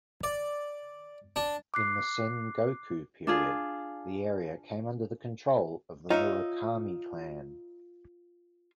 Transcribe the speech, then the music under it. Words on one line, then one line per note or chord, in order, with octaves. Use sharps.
In the Sengoku period, the area came under the control of the Murakami clan.
D5
D4
D6 F#6 C7
D4 F4 G#4
D#4 F4 C#5 E5